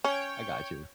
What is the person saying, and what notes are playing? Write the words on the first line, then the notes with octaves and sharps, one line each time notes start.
I gotchu."
C#4 C#5 G5